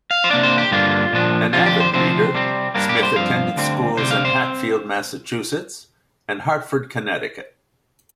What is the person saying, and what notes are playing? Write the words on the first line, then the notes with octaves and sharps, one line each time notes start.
An avid reader, Smith attended schools in Hatfield, Massachusetts, and Hartford, Connecticut.
F5
C5
C3 A#3 D4 D5
C5
G4
G2 D3 A#3 D4 F4
A#2 F3 D4
F2 D3 F3 F4
G4
C5
D2 C3 F3 C4 C5
C3 G3 C4
G2 G3 A#3 D4 A#4
G4
D5
C5
G2 F3 C4 F5
D2 D3 G3 C4
D2 C3 G3 C5
F5
C5
C4